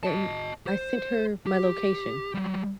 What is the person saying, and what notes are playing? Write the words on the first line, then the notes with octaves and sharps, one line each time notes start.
And I sent her my location
D#5 A5
C5
G4
F#3 G3